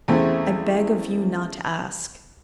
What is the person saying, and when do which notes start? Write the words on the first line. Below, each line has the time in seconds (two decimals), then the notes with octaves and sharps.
I beg of you not to ask.
0.08 E2 C#3 A3 C4 E4